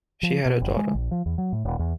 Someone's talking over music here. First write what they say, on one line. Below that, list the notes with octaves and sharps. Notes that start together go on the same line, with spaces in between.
She had a daughter.
F3
B2
F#1
G#3
A#1
F3
E2
F#3
A2
D#1
E2